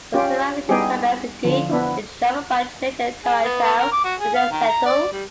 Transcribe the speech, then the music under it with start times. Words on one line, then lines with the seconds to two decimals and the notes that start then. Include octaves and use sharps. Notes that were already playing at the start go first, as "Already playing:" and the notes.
First arriving in Quebec City, they travelled by train to Toronto where they settled.
0.14 C#4 F4 G4
0.69 G3 B3 D#4 E4 G4 G#4
1.45 D3 F3
1.70 B3 D4 E4
3.24 G#4
3.44 B3
3.63 B3
3.79 A#4
3.92 D6
4.04 F#4
4.20 G#4
4.34 F5
4.51 D#3
4.68 A#5
4.86 D5
5.12 G3